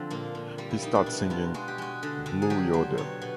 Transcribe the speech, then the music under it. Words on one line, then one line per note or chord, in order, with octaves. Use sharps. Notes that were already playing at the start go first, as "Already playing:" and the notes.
He starts singing "Blue Yodel".
Already playing: D3 F3 C4
A#2 A#3
A#2
G3 A#3
E4
G3 D#4
D4
B2 E4
B2 F4
G#3 F#4
G4
G#3 F#4
D3
D3
G#4
F#3 G4
F#3 C5
B2 C#5
B2